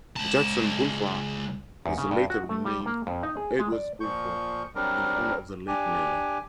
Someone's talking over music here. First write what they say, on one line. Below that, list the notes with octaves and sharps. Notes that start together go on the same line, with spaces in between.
Jackson Boulevard was later renamed Edwards Boulevard in honor of the late mayor.
C#2 A5
E2
C#3
G2
F#4
A3
G3
A#3
F2
D#4
G#4
G#3
D5
A#2 F3 C#6 G6
F#3 G3 C4 D4 A#4
D4 G4 G#5